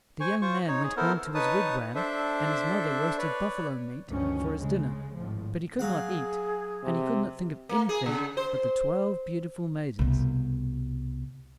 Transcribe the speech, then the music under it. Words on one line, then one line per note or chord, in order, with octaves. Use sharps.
The young man went home to his wigwam, and his mother roasted buffalo meat for his dinner; but he could not eat, and he could not think of anything but the twelve beautiful maidens.
C5 G#5 C#6
F4 C5 C#6
D#4 C#5
G#4
B3 E4 A4 A#4 C5
D#4 B4 C#5 A5 D#6
D4 A4 C5 E5
B4 C#5 D5
D2 G2 D#3 F3 C#4
C#3 G#3
G#1 A2 F3
F#3 G#4 F5 F#5
C3
A#3
G#4
C#3
C5
C2 B2